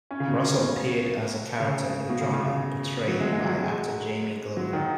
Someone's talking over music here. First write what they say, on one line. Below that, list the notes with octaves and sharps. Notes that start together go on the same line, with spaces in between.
Russell appeared as a character in the drama, portrayed by actor Jamie Glover.
C#4
C#3
B2
C#3
B2
C#3
B2
C#3
C#3
C#3
F#3
G#3
G#3
F#3
G#3
F#3
D#3